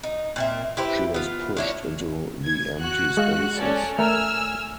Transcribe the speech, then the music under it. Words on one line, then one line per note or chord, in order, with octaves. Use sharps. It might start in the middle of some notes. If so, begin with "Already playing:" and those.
She was pushed into the empty spaces.
D#4
A#2 C4 E5
E4 G4 B4 C5
B3 F4
D4 E4 C#5
G#6
F#4 F#6
G#3 F5
C#4 A4 D5
A3 A#4 G#5 E6 F6